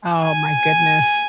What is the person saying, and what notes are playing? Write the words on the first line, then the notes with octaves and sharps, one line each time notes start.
Oh my goodness.
G#5